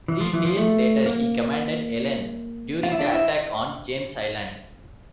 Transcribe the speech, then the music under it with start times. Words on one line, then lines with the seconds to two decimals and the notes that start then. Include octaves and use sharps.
Three days later, he commanded "Ellen" during the attack on James Island.
0.08 E3
0.21 F3
0.33 E3
0.45 F3
0.57 A3
1.06 A#3
2.83 F4
2.92 E4
2.99 D4
3.12 E4